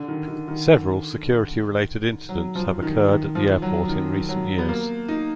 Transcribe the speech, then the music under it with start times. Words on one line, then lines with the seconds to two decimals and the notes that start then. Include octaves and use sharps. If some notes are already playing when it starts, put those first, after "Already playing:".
Several security-related incidents have occurred at the airport in recent years.
Already playing: D3
0.08 D#3
0.28 D#3
0.48 D#3
2.29 F#3
2.55 F3
2.82 D#3
3.09 D#3
3.35 F3
3.62 F#3
3.89 D#3
4.29 F#3
4.58 B3
4.69 A#3
5.08 D#4